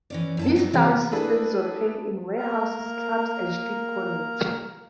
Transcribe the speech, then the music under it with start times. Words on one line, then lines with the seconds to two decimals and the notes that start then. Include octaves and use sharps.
These sound systems were played in warehouses, clubs, and street corners.
0.10 E3 C#4 D5
0.37 F#2 E4 A5
0.56 F#3 G3 B3
0.73 C3 E3 G#3 F#4
1.12 D4 E4 G#4 A4 B4
2.36 A#3 A#4 A#5